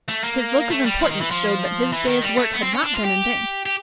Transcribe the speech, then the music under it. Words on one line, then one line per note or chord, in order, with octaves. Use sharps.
His look of importance showed that his day's work had not been in vain.
A3
A#3
A3
G3
F3
D#3
E3
F3
E3
D#3
G3
A3
B3
C4
C#4
D4
F4
G4
G4